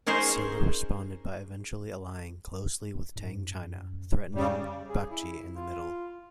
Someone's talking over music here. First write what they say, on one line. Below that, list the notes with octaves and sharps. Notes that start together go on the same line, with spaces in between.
Silla responded by eventually allying closely with Tang China, threatening Baekje in the middle.
C#4 D#4 G#4 A#4 C5
G#2
F#2
F2 C#3 G3
G#4
E4
F4